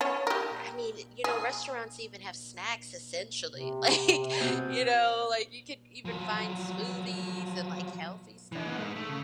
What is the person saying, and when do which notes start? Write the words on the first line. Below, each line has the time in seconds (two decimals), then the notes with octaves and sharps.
I mean, you know, restaurants even have snacks essentially. Like, you know, like, you could even find smoothies and, like, healthy stuff.
0.01 B3 C#4 C#5
0.27 G4 A#4
1.24 G#4
3.51 C3
4.40 B2 C4
6.05 F3 F#3
8.52 E3 D4
8.67 A#3 B3
8.78 G#3 D#4
8.96 A3
9.09 C#3